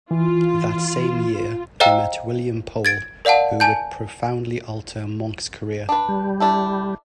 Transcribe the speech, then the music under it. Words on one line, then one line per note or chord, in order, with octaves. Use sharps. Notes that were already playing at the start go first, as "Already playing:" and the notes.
That same year, he met William Poel, who would profoundly alter Monck's career.
E3 F4
C5 D#5 F5 G5 A#5 E6
G#6 A6 D7
A#4 D5 F5 F#5 A5
G#5 A5 G6
D4 B4
G3
D4 E4 A4